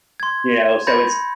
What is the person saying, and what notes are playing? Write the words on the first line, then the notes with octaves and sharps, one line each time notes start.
you know, so it's
C6 G#6
B5 C6 G6 A6 A#6 C#7